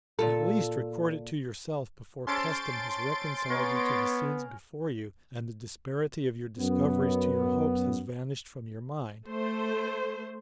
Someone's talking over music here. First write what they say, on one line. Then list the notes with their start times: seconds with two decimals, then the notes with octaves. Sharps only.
At least record it to yourself before custom has reconciled you to the scenes before you, and the disparity of your discoveries to your hopes has vanished from your mind.
0.19 A#2 F4 A4
2.27 C#4 A4 C5 C6 A6 D7
3.50 B3 A#4 C#5 G#5
6.58 F#2 B3
9.27 A3 C5